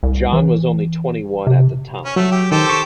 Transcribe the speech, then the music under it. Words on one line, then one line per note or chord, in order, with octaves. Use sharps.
John was only twenty-one at the time.
C2
E3
C3
C#4
F#3 A3
G4
D#3 G4 A4 C5
C#6